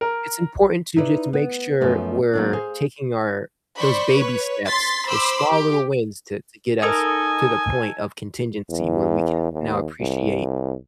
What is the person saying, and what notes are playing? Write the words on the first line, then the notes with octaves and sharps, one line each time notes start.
it's important to just make sure we're taking our those baby steps, those small little wins to to get us to the point of contingency where we can now appreciate,
A#4
D#4 E4 A#4 B4 D5
B3
F#2 F3 A3 B3
F#3 A#3 D4
G#4 C5 F5
C5 D5 B5 C#6
B4 C#5
C6 A6 B6 C7
C5 B5 C6 D6 E6
G4
D#4 A4 A#4 D#5 G#5
E2
D#2
C2